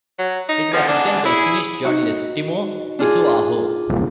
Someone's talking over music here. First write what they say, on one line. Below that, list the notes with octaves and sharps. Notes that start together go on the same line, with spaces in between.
It was written by Finnish journalist Timo Isoaho.
F#3
D#4
F3 G#4 D5 F#5
D4
E4 G#4
D#4 F#4
D4 F4 G#4